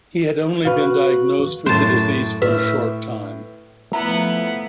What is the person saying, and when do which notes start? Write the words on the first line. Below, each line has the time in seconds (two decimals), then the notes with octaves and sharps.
He had only been diagnosed with the disease for a short time.
0.65 F#4 B4 F5
1.66 F#2 A2 C5 A5
2.42 A2 B4 E5
3.93 F3 A3 B3 E4 F#5 A#5